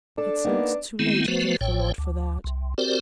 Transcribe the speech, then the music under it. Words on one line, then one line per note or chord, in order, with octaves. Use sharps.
It's not too late, thank the Lord for that!
D4 A4
A#3 B3 D#4
D#3 G#3 A3 B3 C4 E4
F3 A3 B3 F#4 B4 C5
A1 A2 C#5 G5
D2
C2
C4 F#4 G4 A#4 C5 D5